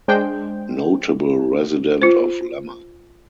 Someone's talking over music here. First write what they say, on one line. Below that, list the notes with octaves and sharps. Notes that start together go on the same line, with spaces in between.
Notable resident of Lemmer.
G#3 D4 C5 G5
F4 C5